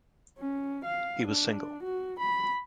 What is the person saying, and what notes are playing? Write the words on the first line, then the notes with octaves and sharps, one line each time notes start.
He was single.
C#4
F5
D4
F#4
B5